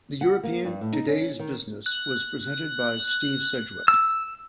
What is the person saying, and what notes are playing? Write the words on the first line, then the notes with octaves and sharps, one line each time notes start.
The European "Today's Business" was presented by Steve Sedgwick.
F#5
A#3
G2
A2
D#4
C#4
D#3
F#6
E6